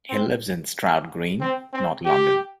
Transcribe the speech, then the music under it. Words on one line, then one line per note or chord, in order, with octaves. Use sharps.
He lives in Stroud Green, North London.
C4
C4
C4
G4